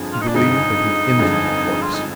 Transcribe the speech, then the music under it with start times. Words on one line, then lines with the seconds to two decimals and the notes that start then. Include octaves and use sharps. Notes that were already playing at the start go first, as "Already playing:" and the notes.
He believed that he envied a corpse.
Already playing: G1 F2 D3 F3 G#3
0.12 F4
0.21 D#4
0.27 D4
0.34 G1 F2 D3 F3 G#3 D#4
1.19 G1 F2 D3 F3 G#3
1.82 F4
1.94 D#4